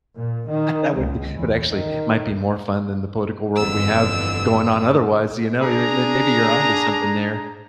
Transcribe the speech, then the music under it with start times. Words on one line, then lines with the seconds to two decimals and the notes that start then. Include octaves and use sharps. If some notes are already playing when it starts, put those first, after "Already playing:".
That would be but actually, might be more fun than the political world we have going on otherwise, you know, your they may maybe you're on to something there.
0.15 A#2
0.48 D#3
0.95 C#2
1.34 E2
1.70 D#3
3.56 G1 F2 D3 E3 E6
5.62 D4 G#4 A#5